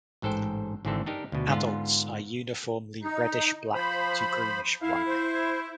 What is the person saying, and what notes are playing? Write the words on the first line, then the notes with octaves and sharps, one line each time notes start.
Adults are uniformly reddish black to greenish black.
A1 G#2 A4 C5 G5
G#1 G#2 D3 E3 C4 A4
D4 D#4 G4 A#4
D2 B2
G#2 D3 B3 F4
D#4
F3 C5 B5
F2 E4 F5
C5